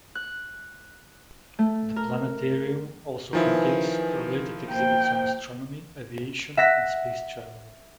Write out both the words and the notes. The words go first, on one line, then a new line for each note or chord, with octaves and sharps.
The planetarium also contains related exhibits on astronomy, aviation, and space travel.
F#6
A3
A#4
D#3 F3 E4 B4 G#5 A#5
A#3 C5 G5
E5 F#5 A#6 B6